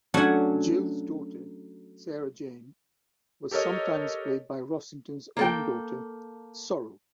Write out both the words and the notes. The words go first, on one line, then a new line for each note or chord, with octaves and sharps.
Jill's daughter, Sarah-Jane, was sometimes played by Rossington's own daughter, Sorrel.
F#3 A3 C#4 D4 F#4
G4 A4 A#4 C#5 D#5
A#3 A4 G5